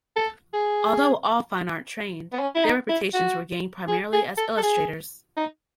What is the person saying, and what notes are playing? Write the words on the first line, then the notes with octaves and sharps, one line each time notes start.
Although all fine art trained, their reputations were gained primarily as illustrators.
A4
G#4
B3
C#4
E4
D#4
E4
F#4
G#4
G#4
A4
A4
G#4
D#4